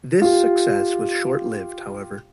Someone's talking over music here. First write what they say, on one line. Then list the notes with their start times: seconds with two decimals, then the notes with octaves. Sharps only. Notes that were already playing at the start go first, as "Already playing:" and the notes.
This success was short-lived, however.
0.22 F4 G4